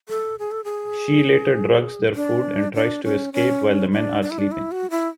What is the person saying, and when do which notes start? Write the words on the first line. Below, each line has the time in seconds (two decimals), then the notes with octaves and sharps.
She later drugs their food and tries to escape while the men are sleeping.
0.09 A4
0.39 G#4
0.51 A4
0.64 G#4
2.15 D4
2.74 D4
3.04 C#4
3.33 C#4
3.92 D4
4.22 D4
4.31 E4
4.38 D4
4.52 E4
4.72 F#4
4.90 E4